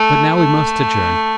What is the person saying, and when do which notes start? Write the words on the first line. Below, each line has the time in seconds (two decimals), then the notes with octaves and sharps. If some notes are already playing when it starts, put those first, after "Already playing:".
But now we must adjourn.
Already playing: A3
0.35 A3